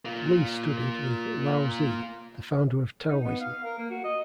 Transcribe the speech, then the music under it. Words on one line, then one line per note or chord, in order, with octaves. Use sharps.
Li studied with Laozi, the founder of Taoism.
A#3 F4
D#4
B3
F5
A#4
A#3
F#4
D#5